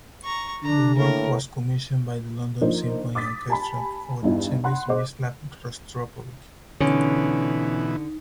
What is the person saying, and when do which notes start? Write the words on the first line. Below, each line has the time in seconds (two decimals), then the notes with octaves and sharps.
The work was commissioned by the London Symphony Orchestra for the cellist Mstislav Rostropovich.
0.24 A#5 C#6
0.63 D3 D4 A#5
0.98 A2 A#3 A#4
2.61 F3 A#3 D4 D#4 C5
3.15 D6 D#6 A6 B6
3.48 G4 G#5 A5 B5
4.23 E2 G2 D#4 E4
4.64 F#5 B5 C6 F#6
4.88 G#4 C5 D#5 D6
6.80 B2 D3 E3 C#4 D#4